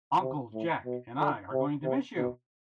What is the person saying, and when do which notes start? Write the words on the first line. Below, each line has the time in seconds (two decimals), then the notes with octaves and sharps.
Uncle Jack and I are going to miss you.
0.21 C3
0.54 A2
0.85 B2
1.19 D3
1.52 C3
1.84 C3
2.17 B2